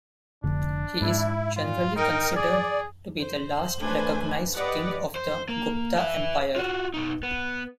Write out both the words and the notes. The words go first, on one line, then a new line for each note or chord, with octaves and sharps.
He is generally considered to be the last recognized king of the Gupta Empire.
F1 D3 D4
G#2 E4
A#2 F4
D#4 A#4 G5
G#4 D5
C5
A3 D4 B4 C5 G#5
G4 B4 D5 D#5 F#5
C5
A#3
B4 E5
F4 F#4
B2 D#4
B3